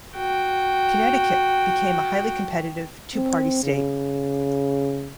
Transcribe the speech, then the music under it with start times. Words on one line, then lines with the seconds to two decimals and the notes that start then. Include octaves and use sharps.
Connecticut became a highly competitive, two-party state.
0.16 F#4 G5
3.15 C4
3.64 C#3